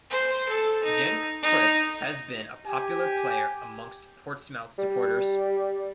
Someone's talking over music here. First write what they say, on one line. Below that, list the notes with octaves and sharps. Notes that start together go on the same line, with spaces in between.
Genk, Priske has been a popular player amongst Portsmouth supporters.
C5
A4
D#4
D#4
G4 G#5
G3